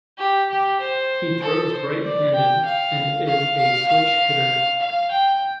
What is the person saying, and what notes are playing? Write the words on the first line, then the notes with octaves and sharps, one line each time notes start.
He throws right-handed and is a switch-hitter.
G4
G4
C5
A4
C5
D5
G5
F5
F5
F5
F5
F5
G5